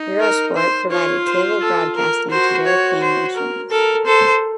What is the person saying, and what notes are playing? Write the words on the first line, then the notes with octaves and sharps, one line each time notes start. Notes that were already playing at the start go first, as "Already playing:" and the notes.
Eurosport provided cable broadcasting to European nations.
Already playing: D#4
A#4
C5
F4 C#5
C5
A4
A#4
F#4 C5
C#5
C5
A#4
A4 A#4
A4 C5